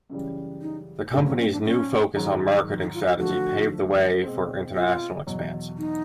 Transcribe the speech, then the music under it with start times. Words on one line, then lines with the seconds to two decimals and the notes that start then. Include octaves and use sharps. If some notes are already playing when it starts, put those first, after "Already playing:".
The company's new focus on marketing strategy paved the way for international expansion.
0.10 F#2 C#3 E3 G3
0.62 D#4
1.13 A#2 F#3 A3 C4 D4
1.26 C#4
1.39 C#4
1.52 D4
1.65 C#4
2.16 G#2 D#3 F#3
2.82 D#4
2.94 F4
3.07 F#4
3.19 D3 F3 A3 F#4
4.23 B2 G#3 C4
4.75 F4
5.27 E2 B2 F#3
5.78 D#4